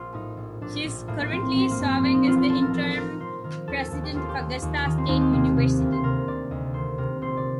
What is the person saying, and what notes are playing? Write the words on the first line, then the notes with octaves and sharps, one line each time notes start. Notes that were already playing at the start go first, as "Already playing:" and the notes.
She is currently serving as the interim president of Augusta State University.
Already playing: A#1 F3 F4
A2 D#4
A#1
A#1 D4
A#1
A2 A#3
A#3
F3 C4
F3 C4
A#3
G2
C4
F3
D#4
A1 F4
F4
A1 A4
A#4
F3 A4
A4
F3 A#4
F3 C5
D#3 A#4
D#2 A4
D#2 A4
G4
D#2 F4
G4
D#2
D#2
D#3 D#4
C4
D#2 D#4
G4
C3 A#3
C3 A#3
D2
C5
C3 A#4
D2 D5
D2 D#5
D#3 C5
C3 A#4
A#1 C5
D5